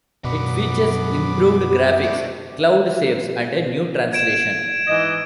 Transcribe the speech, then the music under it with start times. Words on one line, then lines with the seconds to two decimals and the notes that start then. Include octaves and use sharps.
It features improved graphics, cloud saves and a new translation.
0.25 F#2 B2 F#3 B3 D4 B5 D6
2.03 A3 D4
4.13 G#6 D7 E7
4.87 G#2 E3 D#5